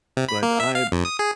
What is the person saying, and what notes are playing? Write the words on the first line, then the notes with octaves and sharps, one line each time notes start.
But I
C3
B5
A#3
E5
F5
F2
D#6
G#4